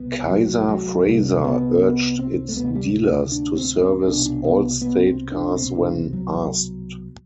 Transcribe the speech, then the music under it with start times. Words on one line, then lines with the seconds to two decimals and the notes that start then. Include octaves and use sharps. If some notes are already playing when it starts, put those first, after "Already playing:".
Kaiser-Frazer urged its dealers to service Allstate cars when asked.
Already playing: C2 B2 B3
0.31 F#3
0.69 F#3
1.07 C2 C3 G3
1.44 B3
1.81 B3
2.19 C4
2.49 A3
2.56 D2 C3 B3
2.75 G3
2.94 A3
3.32 D4
3.57 C4
3.82 C4
4.07 C2 B2 D4
4.26 D4
4.44 B3
4.82 B3
5.07 C4
5.32 D4
5.57 C2 B2 C4
5.75 D4
5.94 C4
6.13 F#3